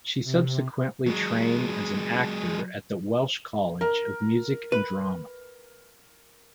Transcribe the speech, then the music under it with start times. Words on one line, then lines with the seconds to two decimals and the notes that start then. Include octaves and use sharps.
She subsequently trained as an actor at the Welsh College of Music and Drama.
0.24 C3
1.07 F#3 G#3
3.81 A#4
4.72 B4